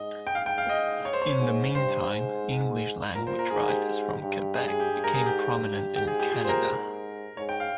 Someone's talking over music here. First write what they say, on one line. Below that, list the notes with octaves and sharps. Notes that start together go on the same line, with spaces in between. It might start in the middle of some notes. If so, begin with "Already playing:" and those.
In the meantime, English-language writers from Quebec became prominent in Canada.
Already playing: G#2 D#5
G5
G#2 F5
G5
F5
D#5
C#5
C5
C#5
G#2
G2 C5
G#2
A#2 A#4
C5
A#4
G#2 G#4
G4
G2
G2 G#4
G#4
G4
G2
A#4
G#4
G#2 G4
G2
G#2 G4
G#4
G4
A#2 G#4
C5
A#4
G#2
G#2 C#5
G5
F5